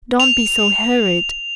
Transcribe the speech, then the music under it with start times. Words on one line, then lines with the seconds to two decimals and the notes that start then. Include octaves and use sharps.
Don't be so hurried!
0.20 F7